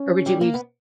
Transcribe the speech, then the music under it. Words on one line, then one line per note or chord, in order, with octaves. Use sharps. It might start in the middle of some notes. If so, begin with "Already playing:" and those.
or would you be
Already playing: C#4
G3
A#3
B3